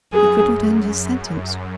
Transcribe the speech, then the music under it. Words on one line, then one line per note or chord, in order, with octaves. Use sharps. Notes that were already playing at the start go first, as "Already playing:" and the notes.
He could not end his sentence.
F#2 G#4